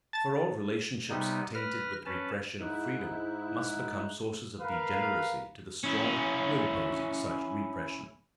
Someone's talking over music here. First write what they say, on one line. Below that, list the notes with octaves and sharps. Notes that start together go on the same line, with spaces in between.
For all relationships tainted with repression of freedom must become sources of degeneracy to the strong who impose such repression.
A5 A6
C3 G3 B3 D#4
B4 F6 A#6
C#4 B4 A5
G#2 D#4 E4 F#6
A#4 B4 F5
C#4 E4